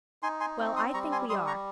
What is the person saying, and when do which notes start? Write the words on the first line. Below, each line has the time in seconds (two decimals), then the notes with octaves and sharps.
Well, I think we are.
0.23 D#4 G#5 C6
0.40 G#5 C6
0.59 C4
0.76 C6 D#6
0.94 G3 A#5 C#6
1.12 G#5 C6
1.29 G3 C6 D#6
1.47 A#5 C#6